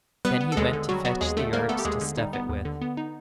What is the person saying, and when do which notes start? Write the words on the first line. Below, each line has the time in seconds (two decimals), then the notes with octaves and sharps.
Then he went to fetch the herbs to stuff it with.
0.25 G3 B3 B4
0.41 B3
0.52 A4
0.57 D#2 G#3 G#4
0.73 D3
0.89 F#3 G3 F#4
1.05 F#3 B3 F#4
1.21 D#2 G#3 G#4
1.37 D3 A3 A4
1.53 G3 A#3 A#4
1.69 A3 B3 A4
1.79 G4
1.85 D#2 G#3 G#4
2.01 D3
2.17 G3 D#4
2.33 B3
2.49 D#2
2.65 D3
2.81 B3
2.97 D#4